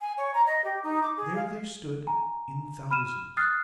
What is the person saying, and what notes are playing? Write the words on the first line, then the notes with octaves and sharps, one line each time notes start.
There they stood in thousands.
G#5
C#5
A#5
D#5
G4
D#4
D6
G#4
F5
G#5 A#5
B5 F6 D#7 E7
D#6 F6 F#6 A6 C7